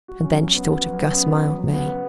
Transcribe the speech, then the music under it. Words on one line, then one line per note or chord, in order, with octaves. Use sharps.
And then she thought of Guss Mildmay.
F#4
F#3 C#4
F#3
B3 C#4
F#4
F#3
F#3
C#4
F#4
F#3
F#3
C#3 B3
G#3